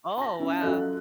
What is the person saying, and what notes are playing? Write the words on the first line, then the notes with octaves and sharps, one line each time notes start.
Oh, wow.
A5 A#6
C#4 E4
F#2 F#3 F4 A4 D#5 F#6